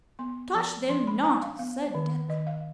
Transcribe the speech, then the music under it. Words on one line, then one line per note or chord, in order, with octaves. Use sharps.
"Touch them not!" said Death.
B3 C6
F3
F3 C6
B5
D4 G#5
F5
B3 F5
D#3
D#3 D#5
F5